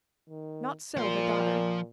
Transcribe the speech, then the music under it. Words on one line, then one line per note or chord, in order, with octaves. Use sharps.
Not so her daughter.
D#3
A#2 F3 C6